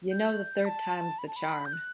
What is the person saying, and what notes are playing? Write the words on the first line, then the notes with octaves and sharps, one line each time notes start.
You know the third time's the charm.
G6
A5
B5
A5
B5
G6
F#6